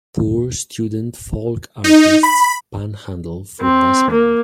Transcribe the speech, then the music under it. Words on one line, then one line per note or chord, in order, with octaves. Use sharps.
Poor student folk artists panhandle for bus money.
D#4
B5
C4
A#3